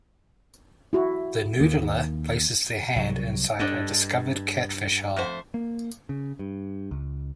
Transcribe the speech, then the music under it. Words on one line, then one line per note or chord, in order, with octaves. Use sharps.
The noodler places their hand inside a discovered catfish hole.
E4 F#4
D#2 A#3
C2 F#3
G2 D4 A4 D#5
F2 A3 C5
A#3
C#3
G2
C#2